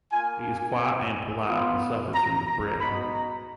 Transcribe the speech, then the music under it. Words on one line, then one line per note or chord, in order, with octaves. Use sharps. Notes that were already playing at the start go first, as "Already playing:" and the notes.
He is quiet and polite and suffers from depression.
A#3 F4 G#5
G#5
B3 F4
A#5
A#5
B3 D#4 F#4 B5
A#5